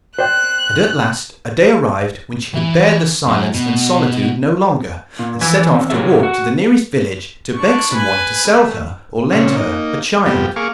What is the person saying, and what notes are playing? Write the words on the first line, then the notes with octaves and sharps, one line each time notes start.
And at last a day arrived when she could bear the silence and solitude no longer, and set off to walk to the nearest village to beg someone to sell her or lend her a child.
C5 D5 G5 F#6
E3 E5
F#2
B2
A#2
E3 F3 B4 G#5
D#3 C4
A2 C3 F#3 G#4 E5
F#4
D4 C#6
B4 G#5
A3
A#2 C#3 C4 C#4
A#3 D#4
G2 C3 F3 G3 B3 G4
A#3 G#4 F5 C#6 D6